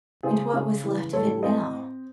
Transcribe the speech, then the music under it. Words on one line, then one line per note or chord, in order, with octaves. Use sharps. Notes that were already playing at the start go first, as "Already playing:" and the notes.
And what was left of it now?
C#3 G#4 C5
C#3
E3
A2 A4 C#5
C4 C5 D#5